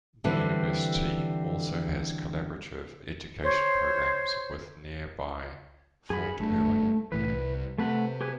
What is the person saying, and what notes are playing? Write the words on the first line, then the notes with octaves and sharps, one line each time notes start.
The university also has collaborative educational programs with nearby Fort Irwin.
D3 E3 G3 C4
C5 C#5
F#2 G#4 B5
F#1 G2 A3
C2 A2 E3 B4
C2
C3 A3 B4 F#5
G4 G#4 B4